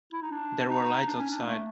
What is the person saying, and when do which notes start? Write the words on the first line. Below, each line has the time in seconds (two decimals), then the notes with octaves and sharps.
There were lights outside.
0.13 E4
0.22 D#4
0.31 D4
0.70 D#4
1.07 D4
1.19 C#4
1.30 D4
1.40 A#3
1.46 A3